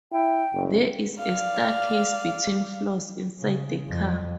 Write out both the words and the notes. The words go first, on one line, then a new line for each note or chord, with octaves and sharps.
There is a staircase between floors inside the car.
E4 G5
F#1
D5 F5
C#3
F2